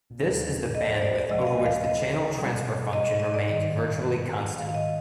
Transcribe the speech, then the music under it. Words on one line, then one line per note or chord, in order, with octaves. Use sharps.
This is the bandwidth over which the channel transfer function remains virtually constant.
D#2 D3 F3 G#3
D#5
C5
D5
D5
D2 C3 F3 G#3 D#5
F5
D#5
F5
D#5
B2 G3
D#5
D#5
D#5
D5
G2 D#3 G3 D#5
G#2 D#3 G#3 F5
F5
D#5